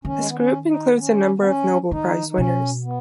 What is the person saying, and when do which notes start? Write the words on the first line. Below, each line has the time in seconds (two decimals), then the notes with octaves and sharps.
This group includes a number of Nobel Prize winners.
0.05 D#3 C#4
0.17 G#3
0.26 B3
0.37 C#4
0.67 D#4
0.93 B3
0.98 C#4
1.39 B3
1.45 C#4
1.91 D#3 D#4
2.31 D#4
2.38 B2 C#4
2.84 B3